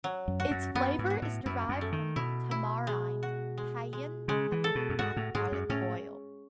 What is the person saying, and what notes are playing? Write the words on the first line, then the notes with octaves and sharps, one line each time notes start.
Its flavour is derived from tamarind, cayenne pepper and garlic oil.
F#3
F#2
F#4
F#2
F#2 B3
G#2
F#4
A2
F#2 E4
F#2
A3
D#3
B2 E4
E4
G#3
F#4
G#3
G#3
C#3 G#3
E3
A4
B2
F#2
G#2 F#4
A2
G#2 G#3
F#2
A2 C#4